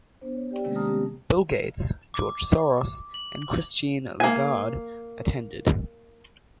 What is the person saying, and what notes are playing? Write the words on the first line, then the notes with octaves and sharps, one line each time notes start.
Bill Gates, George Soros and Christine Lagarde attended.
B3 D4 C5
C#5
G4 D5 G5
C3 D#3 G#3 A#3 C#4
G4 A5 A#5 D#6 F6
G3 B3 C#4 G4
D6
F#7
A#3 G#5